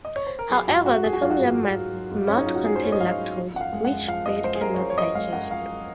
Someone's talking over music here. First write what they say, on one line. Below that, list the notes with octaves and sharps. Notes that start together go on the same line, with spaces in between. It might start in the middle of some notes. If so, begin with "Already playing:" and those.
However, the formula must not contain lactose, which birds cannot digest.
D#5
C#5
C5
A#4
F#3 G#4
G#2 F#4
G#2 F#4
F#3 G#4
F#4
F#3 F4
F#4
G#2
G#2
F#3
F#3
G#2
G#2 C#4
D#4
F#3 F4
F#4
F#3 G#4
C5
G#2 C#5
D#5
G#2 F5
F#3
F3
F#2 F#5
F5
G#3
F#5
F#2
F3 F5
F#2 D#5
G#3 C5
G#4
F#2 A#4
C#5
F3 C5
C#5
F#2 D#5
G#3 F5
F#2 F#5
F3 F5